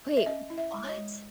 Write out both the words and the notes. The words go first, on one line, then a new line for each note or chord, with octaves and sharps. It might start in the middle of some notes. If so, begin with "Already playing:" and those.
Wait. What?
E5
C#4 D#5
E4
E5
G#3
C#5
D#5
G#3